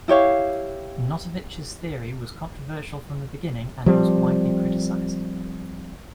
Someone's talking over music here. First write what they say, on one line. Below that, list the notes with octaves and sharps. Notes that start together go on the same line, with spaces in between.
Notovitch's theory was controversial from the beginning and was widely criticized.
E4 G4 C#5 F5
F3 G3 C4